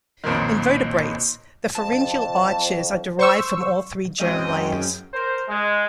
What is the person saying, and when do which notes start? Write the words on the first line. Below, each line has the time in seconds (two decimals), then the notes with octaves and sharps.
In vertebrates, the pharyngeal arches are derived from all three germ layers.
0.24 B1 F2 A#2 D#3
1.75 F2 A5
3.19 C5 C#6 E6
4.20 F#2 F#3 G#3 C4 C#4 D#5 G5
5.12 A#4 C5
5.49 G#3